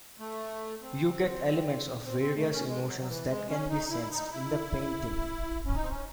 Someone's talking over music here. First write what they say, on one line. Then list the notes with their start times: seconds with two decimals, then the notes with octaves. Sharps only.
You get elements of various emotions that can be sensed in the painting.
0.20 A3
0.82 C4
2.05 C4
2.20 C4
2.36 A3
2.51 C#4
2.67 G#3
2.87 F#3
3.00 F#3
3.07 E3
3.29 G#3
3.49 C#4
3.70 D#4
3.90 E4
4.11 D#4
4.31 E4
5.66 C#4
5.75 D#4
5.83 C4
5.91 C#4